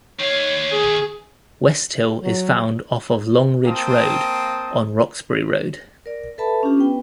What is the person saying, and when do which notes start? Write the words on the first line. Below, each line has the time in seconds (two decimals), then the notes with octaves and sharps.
Westhill is found off of Long Ridge Road, on Roxbury Road.
0.20 D#3 C#5 F5
0.71 G#4
2.22 F#3
3.66 A#3 C4 G5 A5 D#6
6.06 A#4 D5
6.38 A4 B4 E5 A5 B5
6.63 C#4 D4 F4 G4
6.77 B3 B4 G5